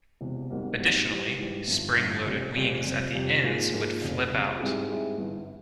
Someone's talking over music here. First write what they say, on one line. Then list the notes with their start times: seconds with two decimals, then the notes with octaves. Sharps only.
Additionally, spring-loaded wings at the ends would flip out.
0.21 E1 E2 C3
0.50 G#1 G#2 G3 A#3
0.80 G#1 G#2 G3 A#3
1.08 G#2 E3 G3
1.38 G#2 E3 G3
1.68 G1 G2 F3
1.96 G1 G2 F3
2.25 F1 F2 C#3 G3 C#4
2.55 F1 F2 C#3 G3 C#4
2.84 F2 C3 G3
3.13 F2 C3 G3
3.43 G#2 F3 A#3 F4 G#4
3.72 G#2 F3 A#3 F4 G#4
4.01 F1 F2 C#3
4.31 F1 F2 C#3
4.59 G#2 G3 C4 E4 G#4
4.89 G#2 G3 C4 E4 G#4
5.18 G1 G2 E3